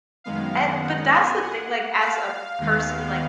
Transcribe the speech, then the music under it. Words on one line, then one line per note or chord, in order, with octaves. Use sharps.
And, but that's the thing, like, as a person, like,
F#2 D#3 G#3 B3 F5
F#5
F#5
G#5
F#5
F5
D#2 D#3 G#3 B3